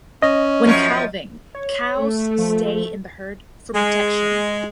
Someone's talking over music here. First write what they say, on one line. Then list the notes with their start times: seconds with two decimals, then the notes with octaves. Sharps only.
When calving, cows stay in the herd for protection.
0.22 C#4 D#5
0.65 F#2 F3 C#5
1.55 C#5
1.99 A3
2.38 F3
3.75 G#3